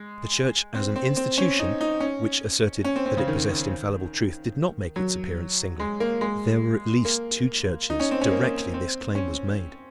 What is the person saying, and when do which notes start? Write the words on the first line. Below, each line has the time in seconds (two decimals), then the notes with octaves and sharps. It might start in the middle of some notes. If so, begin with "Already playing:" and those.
The Church, as an institution which asserted that it possessed infallible truth, did not make its appearance singly; there were at least two churches directly this claim was made.
Already playing: G#3
0.75 C4
0.96 C4
1.17 C4
1.38 C#4
1.59 D#4
1.81 D#4
2.00 C#4
2.84 C#4
2.96 C4
3.06 C4
3.17 C#3
3.28 D#3
4.96 F#3
5.80 G#3
6.00 A#3
6.21 G#3
7.05 A#3
7.90 D#4
8.00 C#4
8.11 C4
8.21 C#4
8.31 A#3
8.74 C4
9.15 C#4